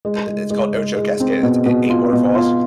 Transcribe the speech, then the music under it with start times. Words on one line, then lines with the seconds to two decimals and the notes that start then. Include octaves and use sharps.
i i it's called Ocho Casca it's eigh eight waterfalls.
0.05 G#3
0.27 G#3
0.50 G#3
0.74 G#3
0.97 G#3
1.20 C4
1.43 B2
1.66 B2
1.90 F4
2.13 B2
2.35 F4